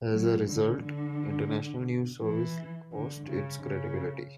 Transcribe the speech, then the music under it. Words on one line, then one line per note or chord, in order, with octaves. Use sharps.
As a result, International News Service lost its credibility.
F#3
D3
D3
E3
D3
C#3
C#3